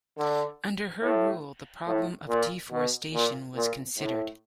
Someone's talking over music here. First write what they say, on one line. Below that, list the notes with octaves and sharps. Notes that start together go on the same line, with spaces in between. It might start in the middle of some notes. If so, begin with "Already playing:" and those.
Under her rule the problem of deforestation was considered.
D3
A2
A2
A#2
B2
A#2
A#2
A2